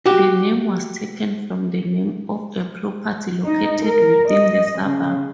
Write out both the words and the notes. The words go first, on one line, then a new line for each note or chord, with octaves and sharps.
The name was taken from the name of a property located within the suburb.
F#4 G4
D#4
A#4
D#5
C#3